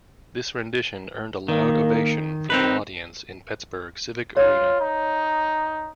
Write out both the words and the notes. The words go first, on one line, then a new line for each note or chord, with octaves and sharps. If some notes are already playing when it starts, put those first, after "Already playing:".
This rendition earned a loud ovation from the audience in Pittsburgh's Civic Arena.
D#3 A#3
D#3 C4 D#4 B4
F4 C#5
D#4